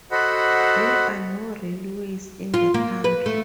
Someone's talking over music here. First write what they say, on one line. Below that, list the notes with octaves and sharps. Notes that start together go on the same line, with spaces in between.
There are no railways in the country.
F#4 A4 C5 D#5 F#5 B5
F4
A#3
B4
A3